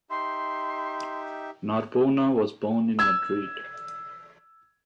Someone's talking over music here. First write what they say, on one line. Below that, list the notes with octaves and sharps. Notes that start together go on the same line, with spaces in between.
Narbona was born in Madrid.
D#4 G4 E5 C6
E6 G#6